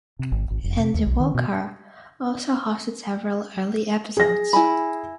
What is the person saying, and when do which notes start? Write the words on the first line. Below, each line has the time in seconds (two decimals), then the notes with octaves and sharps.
Andy Walker also hosted several early episodes.
0.19 C3
0.32 G#1
0.50 G#1
0.64 F1
0.79 C3
0.94 D#2
1.06 B1
1.20 D#3
1.35 B2
4.17 G#4 A#6
4.53 E4 G#5 B5